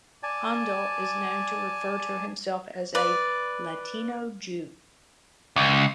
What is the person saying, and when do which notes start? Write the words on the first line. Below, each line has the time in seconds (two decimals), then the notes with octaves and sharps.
Handel is known to refer to himself as a "Latino Jew".
0.23 D5 G#5 A5
2.95 B4 D5
5.56 C#2